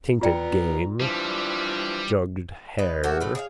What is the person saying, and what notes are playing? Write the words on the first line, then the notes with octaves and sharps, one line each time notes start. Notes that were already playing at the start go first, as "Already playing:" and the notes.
Tainted game. Jugged hare.
B3 F4 D5 G5 A#5
E3 F3 G3 D4
D#4 B4
A3 F#4 G4 E5
B2 A3 C4
G#4 C#5 E5 F5